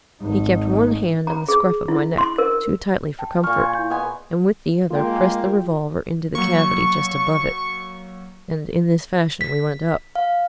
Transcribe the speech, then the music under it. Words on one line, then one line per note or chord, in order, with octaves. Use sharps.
He kept one hand on the scruff of my neck--too tightly for comfort--and with the other pressed the revolver into the cavity just above it, and in this fashion we went up.
G#1 D#4
A#5
G#4
E4
C6
A#4
G5 A5
A#2 C#6 F6
G#5 C6 G#6
E4 G6
B3 D#5 F#5 G#5 C6
G#3 A#3 F4 G5
F#3 A#3 C#6
B6
F5